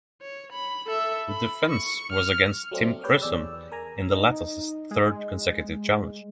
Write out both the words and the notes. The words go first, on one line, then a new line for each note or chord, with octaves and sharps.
The defence was against Tim Chisholm in the latter's third consecutive challenge.
C#5
B5
A4 E5
B5
C#6
F6
F#3 A3 C4 D4
G4 B4 C#5 G5
E2 G#4 D5 E6
A#4 G#5 A#5
D#4
G#3